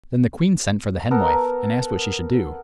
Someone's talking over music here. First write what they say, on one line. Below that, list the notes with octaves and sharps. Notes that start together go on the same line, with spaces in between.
Then the queen sent for the Hen-Wife, and asked what she should do.
B3 A4 A#4 A#5